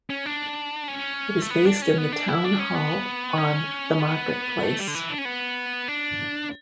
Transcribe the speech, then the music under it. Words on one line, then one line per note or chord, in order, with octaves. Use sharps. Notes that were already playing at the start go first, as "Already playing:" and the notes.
It is based in the town hall on the Market Place.
C#4
D4
C#4
A3
B3
D4
C#4
B3
D4
E4
D4
C#4
B3
C#4
B3
A3
G3
D3
E3
E4
D4
C#4
B3
D4